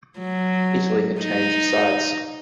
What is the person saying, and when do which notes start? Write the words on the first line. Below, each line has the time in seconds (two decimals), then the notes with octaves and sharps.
Italy had changed sides.
0.19 F#3
1.21 D#4